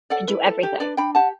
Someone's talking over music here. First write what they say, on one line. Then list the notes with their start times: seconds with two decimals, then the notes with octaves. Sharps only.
Can do everything.
0.10 A4 D5 F#5
0.28 E4 B4
0.46 A4
0.63 G4
0.80 D4 B4 D5
0.97 D4 G5 B5
1.15 G4 F#5 A5